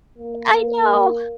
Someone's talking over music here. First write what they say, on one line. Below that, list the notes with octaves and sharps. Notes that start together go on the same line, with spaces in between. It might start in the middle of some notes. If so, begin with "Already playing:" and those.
I know,
A#3
A#3